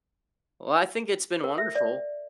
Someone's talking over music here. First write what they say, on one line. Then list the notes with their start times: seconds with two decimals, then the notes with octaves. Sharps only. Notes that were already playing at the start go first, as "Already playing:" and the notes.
Well, I think it's been wonderful,
1.44 A#4
1.58 E5
1.75 D5